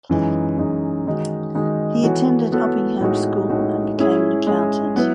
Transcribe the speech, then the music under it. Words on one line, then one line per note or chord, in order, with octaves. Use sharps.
He attended Uppingham School and became an accountant.
F#2 E3 G#3 D#4
F#2 E3 G#3 D#4
D#3 G#3 D#4 F#4
D#3 G#3 D#4 F#4
E3 B3 F#4 A4 C#5
E3 B3 F#4 A4 C#5
A2 G#3 D#4 F#4
A2 G#3 D#4 F#4
G#3 C#4 E4 G#4
G#3 C#4 E4 G#4
F#3 B3 E4 B4